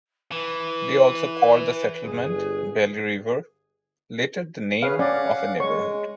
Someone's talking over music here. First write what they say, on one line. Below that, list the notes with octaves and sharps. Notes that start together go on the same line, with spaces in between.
They also called the settlement "Belle River", later the name of a neighborhood.
E3 B4
G1 G#4
G#4 B4 C#5 F5
C#4 D5 F5 F#5
G#3 C#5 C#6